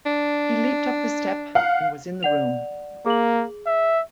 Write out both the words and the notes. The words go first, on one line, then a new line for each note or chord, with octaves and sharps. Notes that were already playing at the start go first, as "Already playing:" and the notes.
He leaped up the step and was in the room.
D4
F5 F#5
D5 F#5 F7
A#3 G#4 F#7
E5